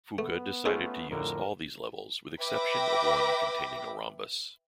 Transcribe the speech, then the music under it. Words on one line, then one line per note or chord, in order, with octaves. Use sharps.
Fuka decided to use all these levels with exception of one containing a rhombus.
A3 B3
A3 C#4 D#4 F4 G#4
F2 A2 D3 A#4
B4 E5 G5 B5 D6 A#6